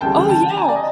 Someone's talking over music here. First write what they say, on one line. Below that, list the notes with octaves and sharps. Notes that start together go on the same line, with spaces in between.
Oh, yeah.
D2 C#3 E3 G3 G5 A5
G5 A5
G#5 A#5
D5
D#5